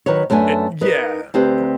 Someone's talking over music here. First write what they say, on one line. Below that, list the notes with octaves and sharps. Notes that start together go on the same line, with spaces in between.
It yeah, pr
D#3 F#3 B4 C#5
F#2 A3 B3 D4 G#5
D#4 A#4 B4
D2 C4 G4 B4